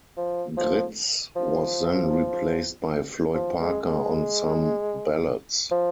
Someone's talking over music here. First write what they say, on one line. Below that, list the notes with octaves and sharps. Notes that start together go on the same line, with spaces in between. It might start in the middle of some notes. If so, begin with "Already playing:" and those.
Gritz was then replaced by Floyd Parker on some ballots.
F3
F3
F3
F3
G#3
G#3
F3